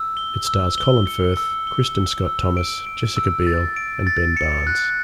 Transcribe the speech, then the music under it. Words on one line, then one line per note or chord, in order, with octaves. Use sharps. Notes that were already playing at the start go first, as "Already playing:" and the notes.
It stars Colin Firth, Kristin Scott Thomas, Jessica Biel and Ben Barnes.
Already playing: E6
G7
E6
G7
C#7
E6
G7
E6
E6
D7
D7
E6
A6
D7
A6
C#7
F#6